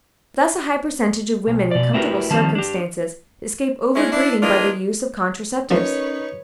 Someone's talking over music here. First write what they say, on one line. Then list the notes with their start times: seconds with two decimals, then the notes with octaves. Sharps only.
Thus a high percentage of women in comfortable circumstances escape overbreeding by the use of contraceptives.
1.47 B1
1.71 B2 D5
1.94 A3 E4 F#4 G4 A#4 B4
2.31 D#3 F3 G3 C4 A5
2.55 D4 G4
3.95 G#3 C#4 E4
4.12 D4 E4
4.42 E3 A#3 D4 F4 G#4 D#5
5.71 F3 A3 A#3 C#4 D#4 A#4 B4 C#5